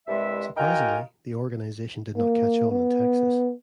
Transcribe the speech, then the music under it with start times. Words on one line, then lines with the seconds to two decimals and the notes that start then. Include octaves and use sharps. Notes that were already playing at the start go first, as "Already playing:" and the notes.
Surprisingly, the organization did not catch on in Texas.
0.07 C2 G2 G#3 E5
0.57 D#4 F4 F#4 A#4 G5 G#5
2.17 A#3
2.71 B3